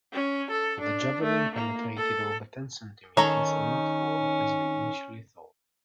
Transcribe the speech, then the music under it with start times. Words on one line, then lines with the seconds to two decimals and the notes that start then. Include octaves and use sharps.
The javelin penetrated over ten centimetres and not four as we initially thought.
0.13 C#4
0.51 A4
0.81 D4
1.23 A3
1.55 A#3
1.97 A4
3.17 D#3 C#4 A4 C#5 A#5